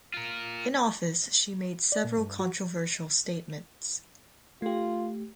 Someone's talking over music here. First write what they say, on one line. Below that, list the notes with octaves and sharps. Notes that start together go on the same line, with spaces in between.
In office she made several controversial statements.
F4 A#4
D5
A#2
G2
F#4
A3 F4 G4